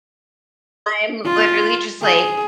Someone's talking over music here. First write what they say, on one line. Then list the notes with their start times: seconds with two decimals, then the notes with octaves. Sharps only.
I'm literally just like
1.25 F4
2.02 G#4